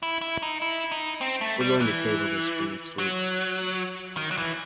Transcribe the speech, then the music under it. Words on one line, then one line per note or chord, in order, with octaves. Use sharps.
We're going to table this for next week.
E4
E4
D#4
E4
D#4
C4
A3
G3
E3
F#3
D#3
F#3
E3